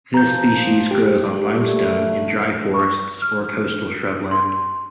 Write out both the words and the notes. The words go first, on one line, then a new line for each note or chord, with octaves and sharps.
This species grows on limestone in dry forests or coastal shrubland.
F3 A#5 G6
G4
A#2 G3 A3
C#6
F6
C6